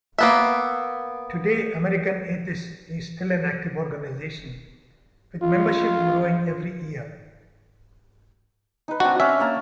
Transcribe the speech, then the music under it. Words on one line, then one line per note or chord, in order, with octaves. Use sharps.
Today American Atheists is still an active organization with membership growing every year.
A#3 B3 E5
F4
D#4 B4
C4 D4 F#4
C#4 E5
A#3 A5